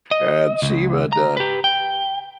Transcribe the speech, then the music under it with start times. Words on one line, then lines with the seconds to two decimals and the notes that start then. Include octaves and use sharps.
And she would, uh
0.11 D#5
0.62 C#2
1.13 A#5
1.37 G4 B4
1.64 G5